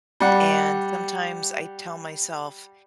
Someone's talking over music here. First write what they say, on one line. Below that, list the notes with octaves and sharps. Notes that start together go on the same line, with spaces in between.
And sometimes I tell myself,
G3 F#5